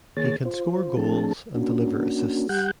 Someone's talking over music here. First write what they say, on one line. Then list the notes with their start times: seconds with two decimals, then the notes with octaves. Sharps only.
He can score goals and deliver assists.
0.17 D#3 A#3 G#4 C#5 A6
0.45 F4 C5
0.97 F3 A3 C4 D4 G#4 A5
1.55 A#3 C#4 D4 F#4
2.49 G3 G4 F#5 F#6 G6